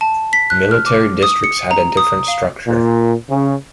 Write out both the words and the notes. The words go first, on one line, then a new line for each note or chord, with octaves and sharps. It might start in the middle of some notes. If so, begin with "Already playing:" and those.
Military Districts had a different structure.
A5
B6
F#6
F6
D6
D#6
C#7
A#5
D#6
F5
A#2
C#3